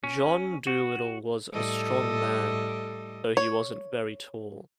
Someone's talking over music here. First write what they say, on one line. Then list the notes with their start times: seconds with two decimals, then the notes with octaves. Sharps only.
John Dolittle was a strong man, though he wasn’t very tall.
0.04 C#4
0.67 F#4
1.53 A2 G3 A4 D#5
3.37 C#5